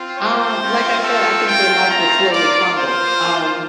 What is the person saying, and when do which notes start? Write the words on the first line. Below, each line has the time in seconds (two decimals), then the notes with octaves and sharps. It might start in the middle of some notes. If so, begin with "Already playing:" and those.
Um, like I said, I think your life would slowly crumble. Um,
Already playing: C4 F4
0.18 C5
0.61 A3 C4 F4
1.04 A4
1.47 G5
1.89 A#5
2.32 A#3 F4 D5
2.75 C5